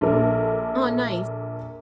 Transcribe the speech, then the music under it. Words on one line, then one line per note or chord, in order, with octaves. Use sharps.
Oh, nice.
A#1 D4 A4 A#4